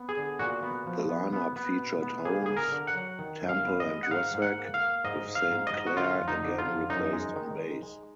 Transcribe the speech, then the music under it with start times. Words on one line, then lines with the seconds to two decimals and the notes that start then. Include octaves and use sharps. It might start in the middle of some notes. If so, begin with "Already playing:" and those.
The line-up featured Holmes, Temple and Russack, with Saint Clare again replaced on bass.
Already playing: B3
0.09 G#4
0.17 D3
0.39 A#2 F#4
0.63 B3
0.87 F3
1.09 B3
1.33 B3
1.56 B3
1.79 B2
2.02 B3
2.25 A#3 G#4
2.46 D3 G#4
2.57 A#4
2.72 D3
2.87 F#5
2.95 F#3
3.19 D#3
3.42 F#2
3.49 F5
3.64 B3
3.80 D#5
3.88 G#3
4.03 F#5
4.11 G#2 F5
4.34 G#2
4.42 F#5
4.58 A#3
4.74 F5
4.81 A#3
5.04 G#2 D#5
5.27 G#2
5.35 F5
5.51 G#2
5.67 D#5
5.74 G#2
5.87 F#4
5.97 D3 F4
6.21 F2
6.28 D#4
6.44 D3
6.58 F4
6.66 F2
6.90 F#2 D#4
7.13 G#3
7.36 D#3
7.59 G#3
7.83 G#3